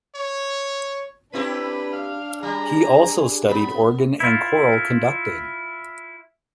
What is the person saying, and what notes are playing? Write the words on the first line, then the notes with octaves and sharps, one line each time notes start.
He also studied organ and choral conducting.
C#5
C4 D4 E4 G4 B4
F5
G3 G#4 A#5
B3 B5
E4 F4